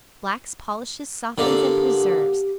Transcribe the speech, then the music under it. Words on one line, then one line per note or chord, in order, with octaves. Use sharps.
Blacks, polishes, softens and preserves.
D3 A#3 G4